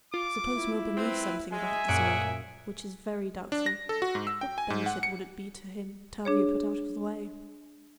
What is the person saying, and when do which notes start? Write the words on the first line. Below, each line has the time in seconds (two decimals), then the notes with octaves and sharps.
"Suppose Milburgh knew something about this murder--which is very doubtful--what benefit would it be to him to have you put out of the way?"
0.14 F4 D6
0.56 E4
0.97 C4 B4
1.52 G#3 E5 G#5
1.89 F#2 A#2 C#4 G#4 F#5 D7
3.52 D4
3.66 A#6
3.89 A4
4.02 F#4
4.15 G#2
4.27 E6
4.41 G5
4.58 G#5
4.70 G#2
4.86 F#5
5.03 C#7
6.25 D4 G#4 C#5